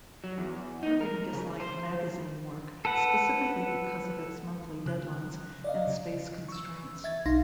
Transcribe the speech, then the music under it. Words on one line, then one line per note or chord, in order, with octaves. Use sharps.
Irving disliked magazine work, specifically because of its monthly deadlines and space constraints.
F#3
E2
D#4
A#4
C#3
C5
A4 B4 F#5
C#3 F#6
D5 D#5 F5
C#3
C#6 E6
E5 G#6 A6
B1 D#4 F5 C6 A#6